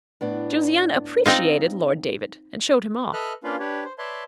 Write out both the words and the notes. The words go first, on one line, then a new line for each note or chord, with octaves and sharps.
Josiana appreciated Lord David, and showed him off.
A2 B3 D4
C4 D#4 F4
A4 B4 D#5 E5 F6 F#6
A#3 C#4 D4 F4 B4 F5
D4 G4 B4 C#5
C5
B4 C#5 D5 E5 A5 C6